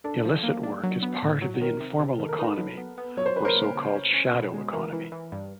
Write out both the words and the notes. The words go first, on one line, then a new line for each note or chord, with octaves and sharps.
Illicit work is part of the informal economy or so called "shadow economy".
D4 A4
F3
A#3
D4
F#3
B3
A2
F#3
D#3 A#4
C3
C3
D#3 A4
A#4
D#4 A4 B4
F#3
B3
B3
F#3 C#5
C5
C#3 B4
A#4 C5
A#3
C#3
C#4
C#4
B2
G#3
E3 A#4
E3
E3
G2